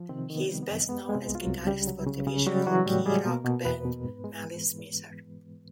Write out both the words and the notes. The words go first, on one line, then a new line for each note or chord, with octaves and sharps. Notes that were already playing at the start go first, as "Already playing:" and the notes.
He is best known as guitarist for the visual kei rock band Malice Mizer.
Already playing: F3
C3 D#3 C4
D#3
B3
G3
B3
F#2
G#3 B3
G#3 B3
C3 C4
C2
F4
F#3 F#4
C2
C#3 G3 G4
F#3
C#3
C#3
F#3 G3 F#4
E3 F#3 F#4
A2 G3 G4
G3 G#3 G#4
B2 A#3 A#4
B2
E2 B3 B4
B2
G#2
G#3
E3